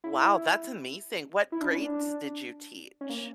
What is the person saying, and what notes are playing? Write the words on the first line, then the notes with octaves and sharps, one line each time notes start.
Wow, that's amazing! What grades did you teach?
E4
E4
D4
C#4
D4
C#4
A#3